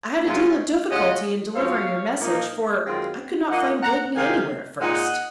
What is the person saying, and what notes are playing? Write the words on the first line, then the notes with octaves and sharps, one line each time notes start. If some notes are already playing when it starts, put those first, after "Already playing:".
"I had a deal of difficulty in delivering your message, for I could not find Blakeney anywhere at first . . ."
F#2 C#3 F#3 C#4 F4
C#3 G#3 C#4 F4 D#5 F#5
F#2 F3 C4 C#5 F5
A#2 F3 A#3 D#4
F#2 D#3 G#3 C4 F4
F3 A#3 D#4 D#5 F#5
F#5 A#5
C3 D#3 G#3 D#4 F5 G#5
A#2 G#3 D#4 D#5 F#5